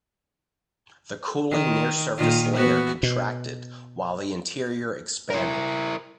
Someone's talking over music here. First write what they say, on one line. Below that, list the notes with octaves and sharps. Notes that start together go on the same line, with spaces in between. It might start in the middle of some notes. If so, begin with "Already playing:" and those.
The cooling near-surface layer contracted, while the interior expanded.
D#3
A#2 D#3 F4
E3 B3 F#4
B2
E4 A#4